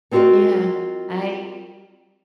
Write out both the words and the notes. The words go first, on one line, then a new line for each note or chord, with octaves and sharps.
Yeah, I
B3 C4 F4 F#4 A#4 D#5